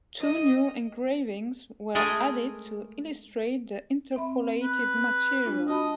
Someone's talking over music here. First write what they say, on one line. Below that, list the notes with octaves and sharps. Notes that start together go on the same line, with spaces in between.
Two new engravings were added to illustrate the interpolated material.
D#5
G#3 A3 G#4 A#4
C4 E5 B5
B4
G#3 D4 F4
F#4 D#5 A5 B5